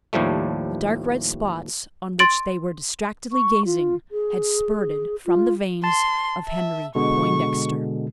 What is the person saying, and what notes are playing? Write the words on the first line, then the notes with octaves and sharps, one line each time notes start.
The dark red spots on which they were distractedly gazing had spurted from the veins of Henry Poindexter.
D#2 A2 F3 G3 A3
C6 A6 D7 F#7
C#6
F4
G#4
F4
A5 C6
E5
B2 D3 G#3 C#6